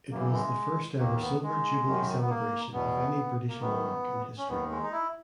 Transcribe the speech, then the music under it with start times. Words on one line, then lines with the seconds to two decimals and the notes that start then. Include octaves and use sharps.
It was the first ever Silver Jubilee celebration of any British monarch in history.
0.11 F#2 C#3 E3 A#3
0.33 G#3
0.99 D#2 D#3 A#3
1.21 B3
1.43 G#3
1.86 F#2 D#3
2.21 B3
2.30 A#3
2.73 E2 B2 B3
3.49 A#3
3.61 F#2 D#3 B3
4.38 C#4
4.48 D#2 D#3 B3
4.70 G#3
4.83 D#4
4.92 E4